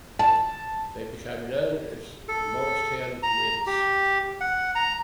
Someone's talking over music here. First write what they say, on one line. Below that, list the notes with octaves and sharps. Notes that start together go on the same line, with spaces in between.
They became known as the Morristown Reds.
A5
A4
A#5
G4
F#5
A#5